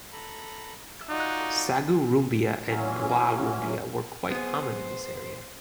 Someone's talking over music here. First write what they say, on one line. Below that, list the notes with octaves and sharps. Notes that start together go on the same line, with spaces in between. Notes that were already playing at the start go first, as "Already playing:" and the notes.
"Sagu Rumbia" and "Buah Rumbia" were quite common in this area.
A4 A#5 B5
D#4 F4 F#4 D5
A#2 E3 F#3 C#4
B3 G#4 C5